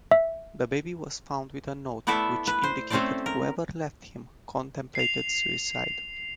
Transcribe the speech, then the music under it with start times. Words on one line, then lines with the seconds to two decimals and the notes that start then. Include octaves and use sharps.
The baby was found with a note which indicated whoever left him contemplated suicide.
0.11 E5
2.07 A3 B3 E4 A4 D5 E5
2.47 B4
2.63 C5
2.90 A3 C4 C#4 A4 C5 D5
3.26 A#4
4.95 C7 F7